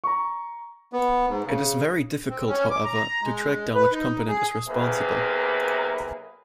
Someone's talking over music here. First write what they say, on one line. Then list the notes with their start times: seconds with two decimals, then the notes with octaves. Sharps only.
It is very difficult, however, to track down which component is responsible.
0.04 A#5 C#6
0.93 B3
1.28 G#2
1.46 C#3
2.29 C4
2.48 C#4
2.70 D6
2.85 A#5
3.22 G#3
3.75 B4
3.92 D#4
4.28 G#4
4.68 B1 C3 A#3 G#4 A#4 B4